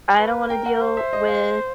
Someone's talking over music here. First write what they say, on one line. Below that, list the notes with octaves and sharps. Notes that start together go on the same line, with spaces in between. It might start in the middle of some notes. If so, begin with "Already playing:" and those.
I don't wanna deal with,
B4
A#4 G5
F#5
C5
E5
D#5
F5